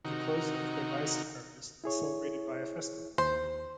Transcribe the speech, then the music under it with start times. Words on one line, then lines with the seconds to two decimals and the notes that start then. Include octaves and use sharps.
The close of the rice-harvest is celebrated by a festival.
0.05 C3 D#3 D#4 F#4 A#4
1.84 E4 G#4 C#5
3.18 D#2 C5